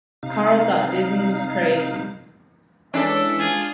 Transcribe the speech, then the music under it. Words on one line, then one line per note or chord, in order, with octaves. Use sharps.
Carl thought Disney was crazy.
C3 D#4 F5
E3 G#3 C#4 D4 A4 E5
F4 G#4